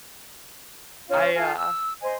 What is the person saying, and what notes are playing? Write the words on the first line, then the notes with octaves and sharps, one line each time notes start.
I, uh
C#4 F4 F5
F4 A4 G#5
E6
C5 D#5 G#5